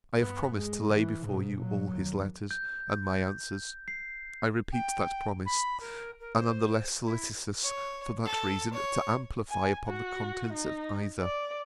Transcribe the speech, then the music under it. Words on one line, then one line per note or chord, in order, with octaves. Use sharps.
I have promised to lay before you all his letters, and my answers: I repeat that promise: and am the less solicitous, for that reason, to amplify upon the contents of either.
G2 B3
G#3
E3
G#2 B2
A#2 F#3
D#2
G6
C7
G5
B5
A#4
A#4
C5
E4
C#5
A4
C#5
G#5
F#4
D#4
D5